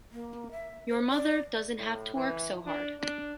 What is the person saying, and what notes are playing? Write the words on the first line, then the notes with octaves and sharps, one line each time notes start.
Your mother doesn’t have to work so hard.
A#3
E5
C5
D5
A2
E3
D4
D4